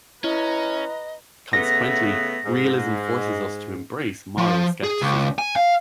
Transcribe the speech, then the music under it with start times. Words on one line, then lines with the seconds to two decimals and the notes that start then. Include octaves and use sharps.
Consequently, realism forces us to embrace moral skepticism.
0.24 C#4 E4 B4 D#5 A#5
1.53 C#3 A3 B3 A#6
2.45 G#2
4.38 F3
4.84 G#4
5.02 C#2
5.39 G#5
5.56 F5